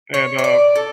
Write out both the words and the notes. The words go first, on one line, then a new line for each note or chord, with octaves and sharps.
and, uh,
C#5
C#5
D5
A4